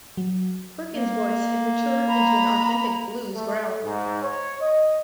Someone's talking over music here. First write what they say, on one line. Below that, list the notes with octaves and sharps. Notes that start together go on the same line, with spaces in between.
Perkins' voice had matured into an authentic blues growl.
F#3
A#3
A#5 B5
A3
G#2
C#5
D#5